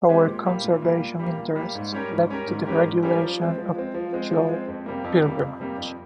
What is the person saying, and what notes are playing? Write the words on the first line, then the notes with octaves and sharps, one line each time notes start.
Power conservation interests led to the regulation of mutual pilgrimage.
G#3 C4 G4
A#2
G3 A#3
A#2
G3 A#3
A#2
G3 A#3
A#2
G3 A#3
G#2
G3 C#4 G4 A#4
G#2
G3 C#4 G4 A#4
G#2
G3 C#4 G4 A#4
G#2
G3 C#4 G4 A#4
F3
G#3 C4
F3
G#3 C4
F3
G#3 C4
F3
G#3 C4
F2
C3 G3 A#3
F2
C3 G3 A#3
F2
C3 G3 A#3
F2